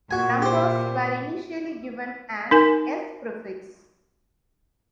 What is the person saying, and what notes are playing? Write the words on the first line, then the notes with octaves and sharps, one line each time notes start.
Numbers were initially given an 'S' prefix.
A#2 F#4 G#5
G4 C5
D#4 A#4 G#5